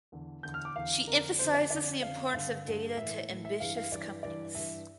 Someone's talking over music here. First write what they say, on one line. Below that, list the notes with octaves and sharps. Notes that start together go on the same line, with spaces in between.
She emphasises the importance of data to ambitious companies.
E2 D3
E2 D3 G6
F6
D6
E2 D3 F5
F2 D3 A#4
F2 D3 C5
D5
F2 D3 D5
F2 D3 F5
G2 D3 F5
G2 D3
A2 E3 E5
A2 E3
E5
G2 E3 F5
F5
G2 E3 D5
G2 E3 D5
G2 E3 E5